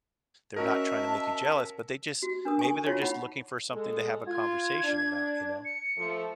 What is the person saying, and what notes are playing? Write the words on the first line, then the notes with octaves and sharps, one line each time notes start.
they're not trying to make you jealous, but they just maybe they're just looking for something to have a conversation about, you know?
C#4 F#4 A#4 D#5 E5 A5
F#4
D4 A#4 D#6
G#5 C#6
F4 F#4 C#5 F5 A5 C#6
D#4 F#5 B5
G#3 A4
F4 G#6
D4
C#7
F3 A3